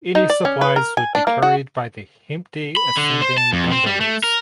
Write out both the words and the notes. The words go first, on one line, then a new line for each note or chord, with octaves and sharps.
Any supplies would be carried by the empty ascending gondolas.
D#4
D5
C#4
B4
A#4
G#5
D4
A#3
F#4
B5
D3
C5
A5
F2
C4
G3
A3
A#4